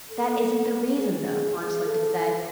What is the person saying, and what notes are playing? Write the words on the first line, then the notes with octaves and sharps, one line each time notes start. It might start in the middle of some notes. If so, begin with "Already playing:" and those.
"That isn't the reason, though," von Schlichten said.
A4
G#4
G#4
A4